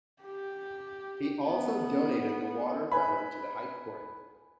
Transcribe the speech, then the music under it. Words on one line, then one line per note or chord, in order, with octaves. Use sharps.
He also donated the water fountain to the High court.
G4
B3
B4 G#5 B5